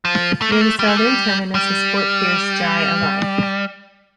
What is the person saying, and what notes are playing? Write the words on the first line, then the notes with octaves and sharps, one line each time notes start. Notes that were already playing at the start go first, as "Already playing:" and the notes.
Near the southern terminus is Fort Pierce Jai-Alai.
F3
A3
A#3
A3
G3
A3
G3
G3